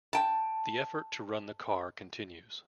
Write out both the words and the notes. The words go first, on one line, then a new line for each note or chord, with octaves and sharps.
The effort to run the car continues.
G5 A5